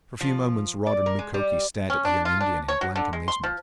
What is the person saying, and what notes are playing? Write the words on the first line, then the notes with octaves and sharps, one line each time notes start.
For a few moments Rod and Mukoki stared at the young Indian in blank amazement.
F3
D5
A#4
G#3
G3
C#4
D4
F4
D4
C#5
F#3
D3
G#3
C6
F3